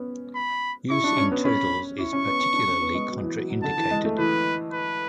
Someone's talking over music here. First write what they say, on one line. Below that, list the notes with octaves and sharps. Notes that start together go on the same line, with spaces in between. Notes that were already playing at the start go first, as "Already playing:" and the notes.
Use in turtles is particularly contraindicated.
Already playing: B3 C#4
B5
E4 C#6
D4
C#4
B3
C#4 B5
E4 C#6
C#4
B3
C#4
D4
C#4
B3
G#3
F#3
E3
F#3
F#3
D3 A5
E3
G#3
A3
E3 B4
B4